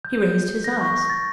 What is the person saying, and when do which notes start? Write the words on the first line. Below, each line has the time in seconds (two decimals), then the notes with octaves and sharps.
He raised his eyes.
0.05 G6
0.64 A#6
0.81 C#6
1.10 A6